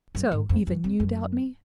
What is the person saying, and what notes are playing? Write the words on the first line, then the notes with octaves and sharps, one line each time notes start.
"So, even you doubt me?"
F#2
G#2
F2
F#2
F2
F#2